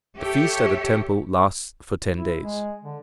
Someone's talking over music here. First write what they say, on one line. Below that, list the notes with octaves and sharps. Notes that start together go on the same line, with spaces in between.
The feast at the temple lasts for ten days.
G4 A4 C#5 E5
E4
G#3
D3